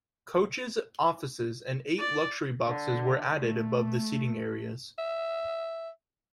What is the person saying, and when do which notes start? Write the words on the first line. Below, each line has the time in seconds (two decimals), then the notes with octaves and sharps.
Coaches offices and eight luxury boxes were added above the seating areas.
1.98 D5
2.67 D3
3.37 A3
4.98 E5